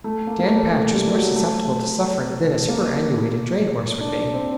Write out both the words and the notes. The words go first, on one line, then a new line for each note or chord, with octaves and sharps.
Dan Patch was more susceptible to suffering than a superannuated dray horse would be.
A3
A#3
A#3
A3
A3
G3
F#3
A3
A#3
D4
C4